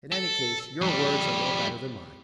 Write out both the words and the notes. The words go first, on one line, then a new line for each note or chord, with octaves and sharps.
In any case, your words are no better than mine.
A4
F2 G3